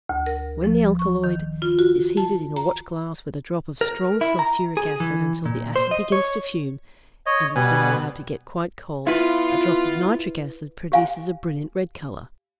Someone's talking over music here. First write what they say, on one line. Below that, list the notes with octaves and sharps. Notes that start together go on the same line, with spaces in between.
When the alkaloid is heated in a watchglass with a drop of strong sulphuric acid until the acid begins to fume, and is then allowed to get quite cold, a drop of nitric acid produces a brilliant red colour.
D2
A#4
F3
C#6
D#3
F4
F#4
A5
A#5
A#4
E4
A#5
G#4
E3
A#2
C5
D#5
C#5
C#5 D#5
B2 G3 G#5
B3 E4 F4 B4
G4 F5 G#5